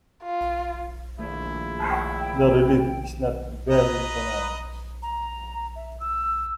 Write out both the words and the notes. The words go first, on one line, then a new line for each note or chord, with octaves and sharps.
The relief is not very pronounced.
F4
A#1 D#3 A3 E4
G5
B4 D#5 A#5
A#5
E5
E6